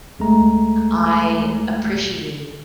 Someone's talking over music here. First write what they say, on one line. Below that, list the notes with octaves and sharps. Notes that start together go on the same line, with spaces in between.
I appreciate
D2 G#3 A3 A#5